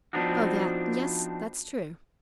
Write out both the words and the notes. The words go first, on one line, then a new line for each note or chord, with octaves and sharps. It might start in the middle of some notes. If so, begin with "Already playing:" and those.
"Oh, that,--yes, that's true."
F3 B3 C4 D4 D#4 F#4